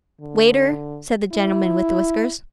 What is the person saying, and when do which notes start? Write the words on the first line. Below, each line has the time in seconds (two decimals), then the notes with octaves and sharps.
'Waiter,' said the gentleman with the whiskers.
0.21 D3
1.32 E4